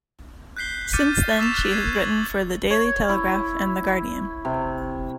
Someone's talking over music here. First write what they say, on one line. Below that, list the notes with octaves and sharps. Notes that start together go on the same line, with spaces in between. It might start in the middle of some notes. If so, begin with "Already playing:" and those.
Since then she has written for "The Daily Telegraph" and "The Guardian".
F#6 G6 B6 C7 G7
D6 F6 G6 A6 C#7 D#7
C#6 E6 A6 B6 E7 F7
F6 F#6
G6 G#6 C7 D#7
F#7
C#5
E4
C3